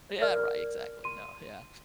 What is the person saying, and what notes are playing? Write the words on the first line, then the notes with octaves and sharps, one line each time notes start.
Yeah, right, exactly no, yeah.
A#4 D5 F6
C6 D#7